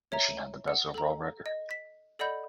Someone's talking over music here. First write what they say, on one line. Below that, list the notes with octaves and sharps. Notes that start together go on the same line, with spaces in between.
Mission had the best overall record.
C#5 E5 A#5
F#5
A4 A#5
D#5
B6
A4 D5 D#5 F#5 B5 G6